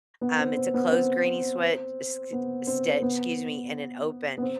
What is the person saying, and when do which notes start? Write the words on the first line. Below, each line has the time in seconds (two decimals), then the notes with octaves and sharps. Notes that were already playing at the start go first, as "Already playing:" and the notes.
um, it's a closed granny sweat s s stitch, excuse me, and an open.
0.21 B3
0.39 C4
0.57 C4
0.74 B3
0.91 C4
2.32 B3
2.67 C4
3.02 B3
4.38 B3
4.42 C4